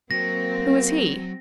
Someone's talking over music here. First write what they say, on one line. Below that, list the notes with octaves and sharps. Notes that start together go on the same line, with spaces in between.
"Who is he?"
F#3 A#3 C4 A#6